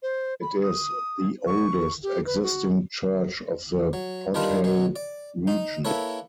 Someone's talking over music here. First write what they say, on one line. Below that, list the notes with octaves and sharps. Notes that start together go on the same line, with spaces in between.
It is the oldest existing church of the Podhale region.
C5
B5
D#6
C#6
G4
B4
F#4
F#3
D#3 G3 D4 F4 A#4 B4
B2 F#3
D5
D#4
A#3 E4 A4 B4 C#5